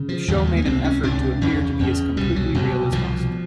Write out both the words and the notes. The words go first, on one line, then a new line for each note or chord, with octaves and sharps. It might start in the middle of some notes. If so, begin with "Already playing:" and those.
The show made an effort to appear to be as completely real as possible.
Already playing: C#3
F3
D#2 C#3 F#3
G3
G#3
A#3
C#2 C3 C4
C#4
C#2 C3 D4
E2 C#3 C#4
E2 C#3
C2 B2 G3
F#3
C2 B2
C2 B2 F3